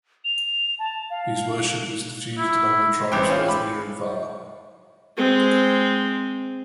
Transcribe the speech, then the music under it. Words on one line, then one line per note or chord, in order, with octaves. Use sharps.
His worship is diffused among the tribes both near and far.
F7
A5
F5
E4
A1 C4 G4 G5
C#4 F4
B5
G#3 C4